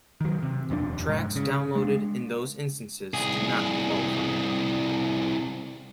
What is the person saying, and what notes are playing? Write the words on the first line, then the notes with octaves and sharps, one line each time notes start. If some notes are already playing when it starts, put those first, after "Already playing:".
Tracks downloaded in those instances do not qualify.
D#3 F#3
C3
D#1 F2 G#3 D4
F1 G#2
C#3
G#3 D4
C2 G#4